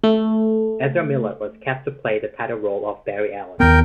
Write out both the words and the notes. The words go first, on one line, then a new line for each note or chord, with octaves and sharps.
Ezra Miller was cast to play the title role of Barry Allen.
A3
D#2 B3 A#4 G5